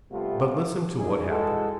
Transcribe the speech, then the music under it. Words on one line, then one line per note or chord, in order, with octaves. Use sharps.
But listen to what happened.
C3 G3 A3 B3 C4 F4
A#2 C#4 D#4 G#4
E3 G#3 F#4 A4